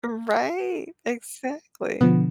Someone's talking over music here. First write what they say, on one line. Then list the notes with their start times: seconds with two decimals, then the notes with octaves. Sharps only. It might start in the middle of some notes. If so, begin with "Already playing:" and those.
Right. Exactly,
2.01 B2 D3 F3 B3